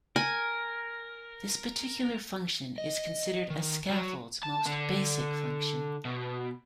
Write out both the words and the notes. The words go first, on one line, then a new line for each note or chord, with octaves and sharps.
This particular function is considered a scaffold's most basic function.
A#4 G#5
D#5
D#3
F#3
A5
D3
B2